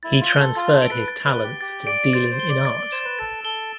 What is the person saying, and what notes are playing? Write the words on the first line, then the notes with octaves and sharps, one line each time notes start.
He transferred his talents to dealing in art.
E4 A6
F4
G7
A4
F4 A6
A4
D7
B4
A6
B4
G7
G4
G4 A6
D5 D7
C5 A6
C5
G7
D5
D5 A6
D5
C5 E7
B4
A4 A6
A4 G7